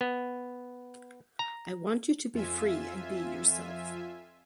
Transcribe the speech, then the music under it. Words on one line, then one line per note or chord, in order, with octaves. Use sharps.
I want you to be free and be yourself.
B3
A#5
F2 F4 E5 G#5